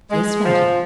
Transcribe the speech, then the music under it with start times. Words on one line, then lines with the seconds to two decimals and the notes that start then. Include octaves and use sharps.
"Yes, madam."
0.11 G#3
0.44 F3